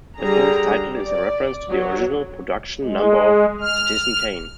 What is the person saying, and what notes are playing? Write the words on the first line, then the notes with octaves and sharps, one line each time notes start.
The film's title is a reference to the original production number of "Citizen Kane".
D3 G3 G#4 A#5
D5
F#3
G#3
F6